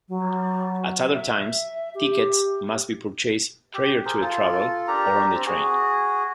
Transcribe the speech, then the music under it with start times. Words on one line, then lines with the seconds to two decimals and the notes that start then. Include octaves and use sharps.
At other times, tickets must be purchased prior to travel or on the train.
0.09 F#3
1.12 E5
1.95 G4
3.74 G4
4.05 G#4 A#4 C5
4.21 F4 A4
4.88 D4 G4 A#4 A#5
5.34 C4 D4
5.46 F#4 G#4